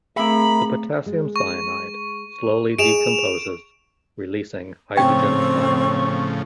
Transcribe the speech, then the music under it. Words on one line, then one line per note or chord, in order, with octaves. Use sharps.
The potassium cyanide slowly decomposes, releasing hydrogen cyanide.
A3 C4 G#4 A#4 E5 B5
G#3
C#6
G#4 D#5 D7 E7 F7
A2 C#3 F3 C4 C#5 G5